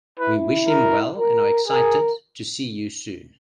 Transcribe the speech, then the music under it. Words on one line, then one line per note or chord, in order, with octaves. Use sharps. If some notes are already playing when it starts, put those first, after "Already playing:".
We wish him well and are excited to see you soon.
E4 B4
A#4
A#4
G#4 A#4